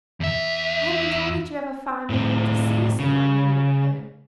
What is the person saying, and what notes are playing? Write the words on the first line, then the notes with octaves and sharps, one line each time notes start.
I have been told that you have a fine view of the sea somewhere in the neighbourhood.
E2 E5
A2 C4
C#3